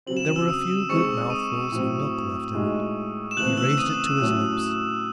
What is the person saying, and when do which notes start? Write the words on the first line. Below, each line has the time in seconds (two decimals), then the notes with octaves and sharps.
There were a few good mouthfuls of milk left in it; he raised it to his lips.
0.06 C#3 F#3 C4 F#7
0.17 E7
0.27 D#7
0.36 E6 E7
0.48 D#6 D#7
0.89 G#3 C4 D#4 G#4 C#6 C#7
1.30 D#6 D#7
1.72 A2 F#3 C4
2.54 A2 G#3 D#4 F#4
3.31 E7
3.37 C#3 E3 A3 C4 F#6 F#7
3.57 E6 E7
3.77 D#6 D#7
4.19 A2 F#3 A3 C#4 E4